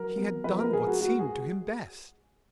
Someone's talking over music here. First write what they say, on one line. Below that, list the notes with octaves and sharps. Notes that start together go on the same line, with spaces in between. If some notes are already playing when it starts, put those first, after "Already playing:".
He had done what seemed to him best.
Already playing: F#3 A#4
B3
F3 B4
A#4
G#3 G#4
F#4
G#3 F#4
G#4